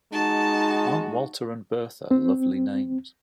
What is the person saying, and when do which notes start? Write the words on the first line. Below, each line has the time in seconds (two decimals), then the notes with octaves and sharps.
Aren’t Walter and Bertha lovely names?
0.12 G#3 D#4 F#4 A5
2.11 C4